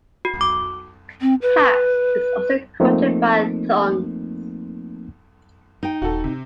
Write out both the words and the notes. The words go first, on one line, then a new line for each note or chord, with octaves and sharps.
"Taps" is also quoted by Thunes.
F#4
D6
C4
B4
F3 A3 A#3 C4 D#4
D#4 G5
D#1 F#4 A4
C3